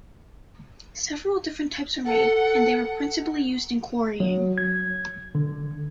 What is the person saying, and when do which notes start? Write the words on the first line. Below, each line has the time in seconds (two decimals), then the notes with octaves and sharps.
Several different types were made, and they were principally used in quarrying.
2.05 A4 F#5
4.20 F#3
4.58 G#6
5.35 D3